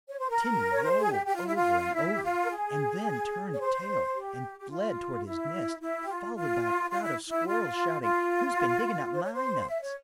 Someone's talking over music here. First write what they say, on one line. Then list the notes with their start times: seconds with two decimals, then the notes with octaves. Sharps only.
Timmy rolled over and over, and then turned tail and fled towards his nest, followed by a crowd of squirrels shouting-- "Who's-been digging-up MY-nuts?"
0.08 C#5
0.18 C5
0.29 A#4
0.72 C#5
0.84 C5
0.98 G#4
1.11 G4
1.25 G4
1.35 F4
1.46 E4
1.56 F4
1.94 E4
2.14 G4
2.22 F4
2.45 A#4
2.50 G#4
3.53 C#5
3.59 C5
4.15 G4
4.59 G4
4.70 F4
5.26 E4
5.80 E4
6.01 G4
6.08 F4
6.35 F4
6.91 F4
7.03 E4
7.28 E4
7.47 F4
8.02 F4
9.13 C5
9.23 C#5
9.33 C5
9.68 E5
9.81 C#5